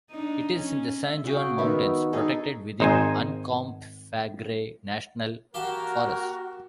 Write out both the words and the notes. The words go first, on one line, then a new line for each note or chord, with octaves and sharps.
It is in the San Juan Mountains, protected within Uncompahgre National Forest.
D4 D#4
C#4
E5
C#3 F#4 G#4 G5
D#3 B3 F#4 E5
D#4 G#4 A4 D#5
G#1 D#4 C5 D#5 G#5
A#3 F#4 G4 A#4 F5 F#5 A5